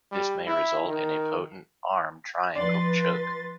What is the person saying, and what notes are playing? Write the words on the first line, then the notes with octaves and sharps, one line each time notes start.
This may result in a potent arm triangle choke.
G3
E4
D#3
F3 B4 D5 C6 A6